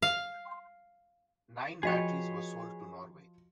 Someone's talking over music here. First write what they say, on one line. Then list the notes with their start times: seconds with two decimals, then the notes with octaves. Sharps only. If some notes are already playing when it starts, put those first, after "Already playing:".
Nine batteries were sold to Norway.
0.02 F5
1.83 F3 F#4 G#4 B4 C#5 D#5 G5